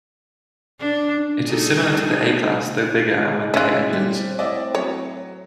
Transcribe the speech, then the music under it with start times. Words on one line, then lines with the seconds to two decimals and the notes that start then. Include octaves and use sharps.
It is similar to the A-Class, though bigger and with bigger engines.
0.79 D4
1.45 G3 A3 D#4 G#4 A4
3.20 G#3
3.54 C#4 F4 E5 E6 F#6
3.93 A2 G3 C4
4.39 E4 D5 D#5
4.75 F#3 C#5